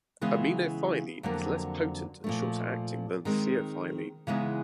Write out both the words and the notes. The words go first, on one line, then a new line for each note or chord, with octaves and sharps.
Aminophylline is less potent and shorter-acting than theophylline.
C#3 E3 G#3 B3
F2 D3 F#3 A#3
A#2 F3 A3
D#3 G#3 C4
C#3 E3 G#3 B3 D#4